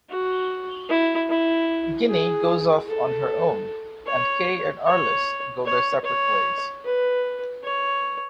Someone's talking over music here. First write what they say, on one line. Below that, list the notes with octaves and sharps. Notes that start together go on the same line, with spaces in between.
Ginnie goes off on her own, and Kay and Arlis go their separate ways.
F#4
E4
E4
G#4
A4
C#5
C#5
C#5
C#5
B4
C#5